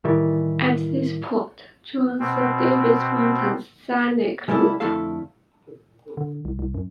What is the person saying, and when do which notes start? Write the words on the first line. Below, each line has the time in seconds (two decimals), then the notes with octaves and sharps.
At this point, joins the Davis Mountains Scenic Loop.
0.04 A2 D#3 E3 G3
2.20 B2 C4
4.48 C#3 G3 G#3 A#3 E4 A4
4.80 F2 D3 A3 E4 A4 F5
6.17 D3
6.45 C2
6.59 C2
6.74 F#2